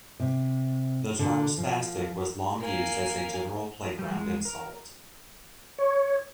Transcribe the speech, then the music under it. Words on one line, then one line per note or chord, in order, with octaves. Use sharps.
The term "spastic" was long used as a general playground insult.
C3
D3
F3
A#3 G#5
G3
G#3
A#4
C#5